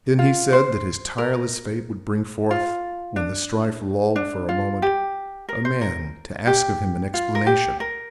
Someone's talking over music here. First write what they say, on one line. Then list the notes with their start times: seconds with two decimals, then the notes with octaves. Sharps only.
But then he said that his tireless fate would bring forth, when the strife lulled for a moment, a man to ask of him an explanation.
0.19 F4
0.53 C5
1.18 A#4
2.51 F4
3.16 D4
4.16 D4
4.49 F4
4.82 G4
5.49 A#4
5.65 C5
5.81 A#4
6.47 G4
7.14 F4
7.35 A#4
7.47 G4
7.80 A#4